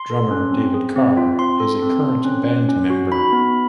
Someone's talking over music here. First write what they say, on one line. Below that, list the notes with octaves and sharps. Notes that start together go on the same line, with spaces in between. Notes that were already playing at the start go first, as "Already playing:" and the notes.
Drummer David Carr is a current band member.
Already playing: C6
A4
C#4
C4
G#4
C4
F4
C4 C6
A4
C4
C4
C#4
C#4
C#4
F#4
D#4 B5
B3